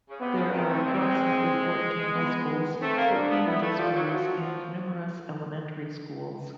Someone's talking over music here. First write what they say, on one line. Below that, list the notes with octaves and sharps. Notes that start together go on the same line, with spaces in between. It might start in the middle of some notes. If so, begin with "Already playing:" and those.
There are approximately fourteen high schools, fourteen middle schools, and numerous elementary schools.
C#3
C3 B3
C#3
D#3 C4
A3
G#3
G3
G#3
B3
A3 C4
A#3
D4
B3
B3 E4
A3
G3 F4
F3
F#3
F#3
F3 F#4